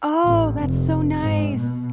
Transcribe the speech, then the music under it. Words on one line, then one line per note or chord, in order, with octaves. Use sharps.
Oh, that's so nice.
A1
F1
G#2
B2